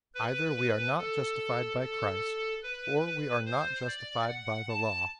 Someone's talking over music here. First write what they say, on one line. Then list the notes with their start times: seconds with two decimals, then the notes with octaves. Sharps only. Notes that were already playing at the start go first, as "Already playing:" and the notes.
Either we are not justified by Christ, or we are not justified by the Law.
0.15 B4
0.98 A4
1.80 A4
2.63 B4
3.45 C5
3.87 D5
4.28 F#5
4.69 A5